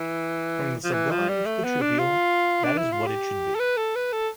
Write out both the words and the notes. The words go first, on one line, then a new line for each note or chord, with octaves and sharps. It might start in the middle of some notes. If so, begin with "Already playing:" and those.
From the sublime to the trivial, that is what it should be.
Already playing: E3
F3
E3
F3
G3
A3
B3
D4
F4
D4
E4
F4
G4
A4
B4
A4
B4
A4